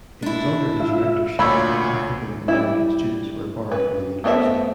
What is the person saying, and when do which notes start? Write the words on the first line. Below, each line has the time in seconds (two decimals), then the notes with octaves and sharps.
It was under his rectorship that African American students were barred from the university.
0.22 D4 E4
0.80 F4 E5
1.39 D2 A#2 C#5 B5 E6
2.48 G3 E4
3.72 B4
4.24 A3 B3 C4 C#5 E5